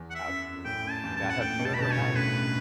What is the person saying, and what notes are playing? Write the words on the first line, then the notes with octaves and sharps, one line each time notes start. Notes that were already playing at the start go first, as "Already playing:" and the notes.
Absolutely. Now, have you ever had n
Already playing: E2
F#5
E5
F#2
F#2 A2 G5
F#2
A5
E2 G2
A5
F#2 A2
F#5
F#2 A2 G5
G2 B2
A5
B5
B2 D3 A5
C#5
A2 C#3
F#2 A2 B4
F#2